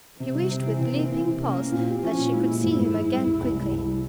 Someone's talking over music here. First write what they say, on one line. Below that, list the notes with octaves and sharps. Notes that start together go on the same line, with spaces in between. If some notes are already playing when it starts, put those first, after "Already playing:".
She wished with leaping pulse that she could see him again quickly.
C3 C4
G3
C3
E3
C3
A#3
E3
C3
A#3 C#4
C#4
A#2 C4
G4
F3 C#4
A#2
G#3 E4
A#2
G#2
G#2
G#2
G3
C2
C2
G#3
C2
G3